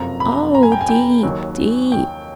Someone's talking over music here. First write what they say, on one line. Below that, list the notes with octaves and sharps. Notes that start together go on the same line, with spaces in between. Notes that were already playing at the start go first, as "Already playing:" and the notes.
'Oh deep, deep!
Already playing: F#1 F2 C3 F3 A#5
B5
A#5
G#5
G5
G#5
G5
D#2 D#3 F#3
G5